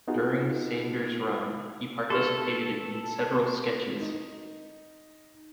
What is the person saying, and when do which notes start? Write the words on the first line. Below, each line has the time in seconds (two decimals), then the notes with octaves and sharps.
During Sanders' run, he participated in several sketches.
0.07 B3 D#4 F4 F#4 G#4
2.10 F#4 G4 A4 B4
4.01 D#4